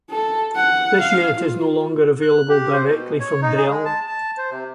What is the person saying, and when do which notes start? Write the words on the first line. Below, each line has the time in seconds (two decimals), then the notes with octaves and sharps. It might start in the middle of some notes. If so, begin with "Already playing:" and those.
This unit is no longer available directly from Dell.
0.10 A4
0.55 F#5
1.00 F5
1.36 F4
2.22 F#6
2.49 G4
2.73 C5
2.85 B2
3.20 C#5
3.42 D#4
3.57 G#4
3.70 G#3
3.85 A5
4.07 A5
4.38 C5
4.50 C3